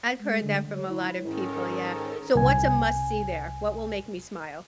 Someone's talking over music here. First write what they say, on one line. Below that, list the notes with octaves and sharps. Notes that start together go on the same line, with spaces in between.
I've heard that from a lotta people, yeah. So what's a must-see there? What will make me smile?
G#3
D3
C#5
E4
G#2 D#3 C#4 A4 A#4
C2 G#5